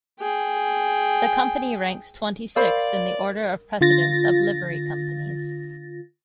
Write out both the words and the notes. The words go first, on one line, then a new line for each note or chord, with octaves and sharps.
The Company ranks twenty-sixth in the order of precedence of livery companies.
G#4 G5
A#4 C5 D5 F5 B5 C#6
D3 F4 A6 A#6